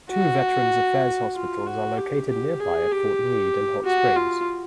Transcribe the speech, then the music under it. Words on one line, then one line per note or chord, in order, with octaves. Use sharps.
Two Veterans Affairs hospitals are located nearby at Fort Meade, and Hot Springs.
F#4
F4
F#4
G4
G4
G#4
G4
F#4
F4